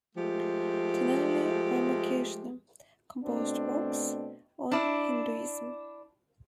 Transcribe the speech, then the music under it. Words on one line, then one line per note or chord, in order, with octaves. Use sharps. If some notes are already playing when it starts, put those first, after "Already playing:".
Tenali Ramakrishna composed works on Hinduism.
F3 G#3 A3 G4
B2 A3 C4 D4
D4 E4